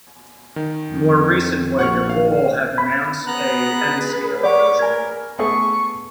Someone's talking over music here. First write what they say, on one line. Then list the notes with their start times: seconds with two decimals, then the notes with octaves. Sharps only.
More recently, Dapol have announced a N Scale version.
0.56 D#3
0.91 F2
1.79 A#1 F#5 C#6 F6
2.10 F5
2.78 B5
3.27 B3 G#4 B4 A#5 F#6
4.43 C#5 D5 F#5 D6
4.79 A#4 G#5 G#6
5.39 A3 B3 G#4 C#6